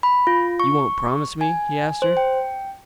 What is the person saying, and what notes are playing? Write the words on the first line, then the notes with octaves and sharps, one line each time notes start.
"You won't promise me?" he asked her.
B5
F4
C#6
G#5
C5
G5